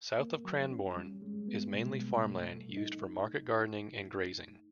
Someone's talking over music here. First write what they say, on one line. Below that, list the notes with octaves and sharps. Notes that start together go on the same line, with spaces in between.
South of Cranbourne is mainly farmland, used for market gardening and grazing.
A#3
F#3
C#4
G3
G#3
B3
B2
G3
A3
A3
D#4